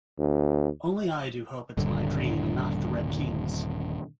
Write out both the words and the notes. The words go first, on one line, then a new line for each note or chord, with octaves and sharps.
Only I do hope it’s my dream, and not the Red King’s!
D2
D#1 G2 D3